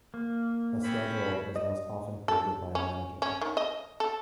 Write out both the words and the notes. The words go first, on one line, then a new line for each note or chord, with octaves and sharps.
A schedule is most often created by a manager.
A#3
C4 C#4 B5
D#5
A4
C#4
C#4
D#3
D#5
A4